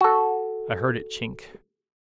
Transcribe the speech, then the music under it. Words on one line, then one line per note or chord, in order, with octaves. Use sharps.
I heard it chink.
F#4 A4